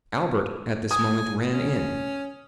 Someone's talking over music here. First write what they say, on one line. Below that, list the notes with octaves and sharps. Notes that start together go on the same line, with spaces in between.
Albert at this moment ran in.
G#5 D#6
C#4